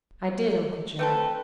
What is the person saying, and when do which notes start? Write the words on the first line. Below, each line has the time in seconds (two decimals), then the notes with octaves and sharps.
"I did, Uncle Joe."
0.99 A3 C4 A4 B4